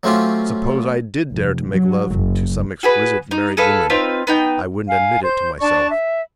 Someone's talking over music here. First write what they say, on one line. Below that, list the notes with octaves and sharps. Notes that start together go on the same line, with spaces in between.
Suppose I did dare to make love to--some exquisite married woman. I wouldn't admit it to myself.
F#3 A3 C4 C#4 F4 G4
F1
F#3
F#1
F#4 G#4 B4
D#4
G#4 A4 B4 F5
C4 D#4 F4 B4
B3 D#4 G5
F5 G#5
C5 G6
D4 D5 A5 C#6
E5